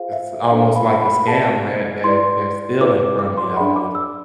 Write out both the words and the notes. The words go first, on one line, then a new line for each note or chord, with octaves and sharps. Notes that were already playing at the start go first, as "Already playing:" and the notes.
It's almost like a scam, they're they're they're stealing from you almost
Already playing: F4 G#4 C5 F5
E5
D4 A4 C5 F5
B5
B5
G#4 D5 A5
E4 B4 D5 C6
E4 G#4 B4 D5 D6
D6
D6
C6
D4 G#4 D5 B5
D6
E6